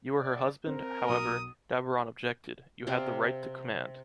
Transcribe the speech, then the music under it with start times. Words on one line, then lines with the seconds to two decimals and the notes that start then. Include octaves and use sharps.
You were her husband, however, Daburon objected, you had the right to command.
0.17 D5
0.66 C4 A#4
1.09 B1 D#6
2.87 C3 C4 D5 F5